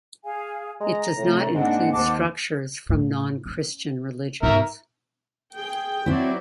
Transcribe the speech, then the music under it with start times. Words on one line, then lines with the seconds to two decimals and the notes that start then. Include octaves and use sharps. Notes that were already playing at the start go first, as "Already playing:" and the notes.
It does not include structures from non-Christian religions.
0.24 G#4 F5 G#5
0.81 G#3 A#5
1.17 A2 C3 A3
1.54 G#2 A#3 C4 D4 F#5
1.92 D#2 C5 F#5 A5 D6
2.89 A2
3.46 C#4
4.43 G#2 A#4 E5
5.55 G#4 G5
6.06 F#3 C4 E4 D5